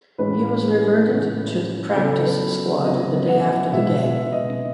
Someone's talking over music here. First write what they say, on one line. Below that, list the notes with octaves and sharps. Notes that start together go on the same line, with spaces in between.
He was reverted to the practice squad the day after the game.
A2 E3 G#3 C#4 B4
A2 E3 G#3 C#4
C#3 F#3 B3 A4
B4
C#3 F#3 B3 D#5
F#5
B2 G#3 B3 E5
E5
D#5